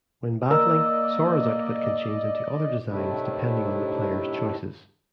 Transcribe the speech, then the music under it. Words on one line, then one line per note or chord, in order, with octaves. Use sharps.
When battling, Sora's outfit can change into other designs depending on the player's choices.
A#3 A#4 D5 D#5 E6
A2 C3 D#3 A3 D4 E4